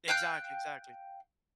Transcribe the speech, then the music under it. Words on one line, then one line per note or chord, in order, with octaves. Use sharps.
Exactly. Exactly.
F5 G5 F#6 G6